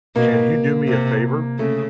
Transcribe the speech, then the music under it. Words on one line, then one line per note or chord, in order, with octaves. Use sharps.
Can you do me a favor?
B2 A#3
C3
C#3 A3